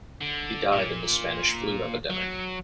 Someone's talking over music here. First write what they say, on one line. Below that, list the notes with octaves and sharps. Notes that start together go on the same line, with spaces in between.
He died in the Spanish flu epidemic.
D3
A#2
F#3